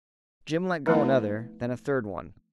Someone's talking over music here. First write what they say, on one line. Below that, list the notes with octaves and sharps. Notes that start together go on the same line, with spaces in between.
Jim let go another, then a third one.
F3 A3 B3 D#4 E4